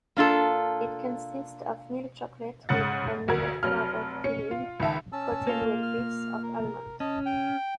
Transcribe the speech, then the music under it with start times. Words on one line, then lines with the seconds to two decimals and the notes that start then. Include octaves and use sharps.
It consists of milk chocolate with a nougat-flavoured filling, coated with bits of almond.
0.17 A#3 D4 F4 A4
2.69 G#2 C#3 F#5 A6
3.28 D2 F#4 A#4 G#6
3.63 F1 F#3 F6
4.24 C#4 C#7
4.51 F4
4.80 C#2 D#3 E5 A5
5.13 C#4 A5 E6
5.47 A#3 F4
5.82 F6
6.43 A#4
7.00 C#4 D#5 A5
7.26 G5